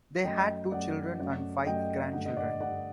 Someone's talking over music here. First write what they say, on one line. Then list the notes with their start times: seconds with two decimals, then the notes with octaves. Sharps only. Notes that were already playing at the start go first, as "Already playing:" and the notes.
They had two children and five grandchildren.
0.24 F#2 F#3 A3 D#5 G5
0.72 F#2 F#3 A3 D5 F#5
1.19 F#2 F#3 A3
1.66 F#2 F#3 A3 D#5 G5
2.13 G2 D3 A3 F#5
2.25 D#5
2.37 D5 F#5
2.61 G2 D3 A3 D5 F#5